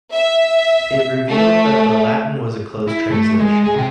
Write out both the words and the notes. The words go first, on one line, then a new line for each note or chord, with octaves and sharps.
It revealed that the Latin was a close translation.
E5
A3
E4
A3
G#3
G#4
C3 G5